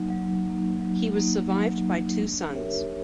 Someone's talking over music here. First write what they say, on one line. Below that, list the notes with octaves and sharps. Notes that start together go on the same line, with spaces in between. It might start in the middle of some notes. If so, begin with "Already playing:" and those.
He was survived by two sons.
Already playing: F#3 A#3 D#4
F#3
A#3 D#4
F#3
A#3 D#4
F#3
A#3 D#4
D4
G4 A#4 C#5 E5